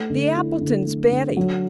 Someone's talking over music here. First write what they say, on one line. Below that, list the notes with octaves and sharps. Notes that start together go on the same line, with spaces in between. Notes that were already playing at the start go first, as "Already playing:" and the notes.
The Appletons' Betty.
Already playing: A3
D3
E4
D3
A3
D3
F#3